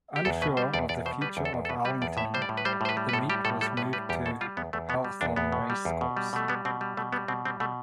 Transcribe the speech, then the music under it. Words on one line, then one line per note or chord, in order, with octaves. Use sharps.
Unsure of the future of Arlington, the meet was moved to Hawthorne Race Course.
G4
E2 A4
B2 B4
G3 C5
E2 D5
E2 D5
B2 C5
G3 B4
E2
A4
E2
A4
B2 B4
G3 B4
E2 D5
A2 E5
G3 C5
D5
A2
B4
G3 C5
A2 C5
B4
G3
B4
A2 A4
G3 G4
A2 A4
G3 A4
A2 B4
G3 B4
E2 G4
B2 A4
G3 F4
E2 B3
E2 A3
B2 B3
G3
E2 D4
E2 B3
B2
G3
E2
B2
G3
B2 A3
G3 B3
B2 C4
G3
B2 A3
G3 B3
B2 C4
G3 C4
B2 A3